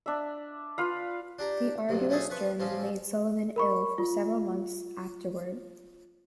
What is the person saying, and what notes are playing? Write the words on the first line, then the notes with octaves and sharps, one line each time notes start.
The arduous journey made Sullivan ill for several months afterward.
D4 E5
F4 B4 F5
D4 G4 A#5
B1 G2 C3
B1 A3 C#4 G#4 A4 C#5
F3 B4 C#6
A1 F3 C4 C#4
A#4 B5 C#6
F4